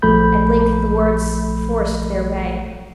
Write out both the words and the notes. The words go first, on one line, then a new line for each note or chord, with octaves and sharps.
At length the words forced their way.
A#1 F3 A3 A4 B5 G6